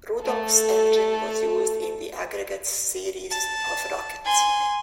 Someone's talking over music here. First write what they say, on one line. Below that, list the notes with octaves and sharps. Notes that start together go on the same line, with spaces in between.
Rudolph's engine was used in the Aggregat series of rockets.
A3 A4
A5
G#5 C6